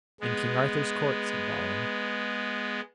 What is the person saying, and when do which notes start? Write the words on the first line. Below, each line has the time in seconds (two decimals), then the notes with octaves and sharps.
In King Arthur's court, said Balin.
0.21 G#3 B3